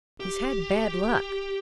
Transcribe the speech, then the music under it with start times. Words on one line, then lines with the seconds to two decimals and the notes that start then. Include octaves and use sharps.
"He's had bad luck."
0.20 G4